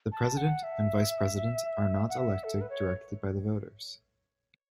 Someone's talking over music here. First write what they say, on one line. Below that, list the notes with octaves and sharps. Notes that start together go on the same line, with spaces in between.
The President and Vice President are not elected directly by the voters.
A5
F#5
E5
F#5
E5
A4
B4
C#5